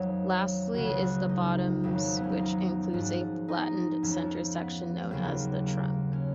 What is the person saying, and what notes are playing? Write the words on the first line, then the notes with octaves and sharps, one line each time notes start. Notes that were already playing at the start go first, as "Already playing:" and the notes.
Lastly is the bottoms which includes a flattened center section known as the trunk.
Already playing: F2 D#3 F#3 C#5 D#5
C#2 C#3 F#3 F#4
G#4
F#4
D#4
F2 D#3 F#3
B3
C#4
D#4
F4
G#2 F3 F#4
D#4
F2 F3 C#4
B3
D#2 C#3 F#3 A#3
A#3
C#4